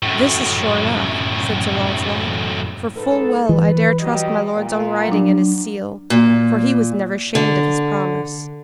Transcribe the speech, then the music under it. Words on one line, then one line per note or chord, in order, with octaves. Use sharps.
This is sure enough, said Sir Launcelot, for full well I dare trust my lord's own writing and his seal, for he was never shamed of his promise.
F#2 A2
G#2 A4 B4
E3 B4
F#3 G3 D#5
A#2
F#3 D4
A#2
D3